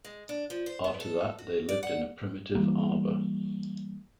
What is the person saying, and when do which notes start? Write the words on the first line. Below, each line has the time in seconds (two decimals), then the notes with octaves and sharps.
After that, they lived in a primitive arbor.
0.05 G#3
0.29 D4
0.50 F3
0.66 C5
0.84 B3
1.00 A4
1.39 F#4
1.69 D5
1.83 F#5
2.55 E3 G3 A#3